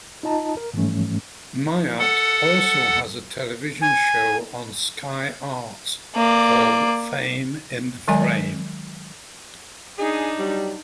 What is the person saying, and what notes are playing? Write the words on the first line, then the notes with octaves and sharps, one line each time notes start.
Myatt also has a television show on Sky Arts called Fame in the Frame.
D#4 F4 D#5 A5 A#5
A#4
G#2 E3 F3 G3 A3 C#4
A4 F#5
G#5
A#3 D5
D#3 F#3 G#3 D5 G#5
D4 D#4 G#4
F#3 G3